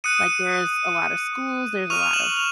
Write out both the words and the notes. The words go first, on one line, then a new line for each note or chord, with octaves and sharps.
Like, there's a lot of schools, there's a lot of
D#6 F#6 C#7 D#7
C#6 F6 D#7 F7
F7
E7 F#7
F7